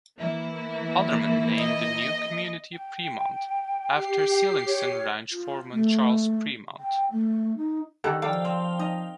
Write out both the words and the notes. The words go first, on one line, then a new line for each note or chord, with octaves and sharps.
Halderman named the new community Premont, after Seeligson Ranch foreman Charles Premont.
E3 A#3 E4
D#5
G5
G4 C7
C#5
F4
A3
G5
A3
D#4
D#3 G4 A4 F#5
F3 A4 D5 F5 G5
C4
D#4 D#5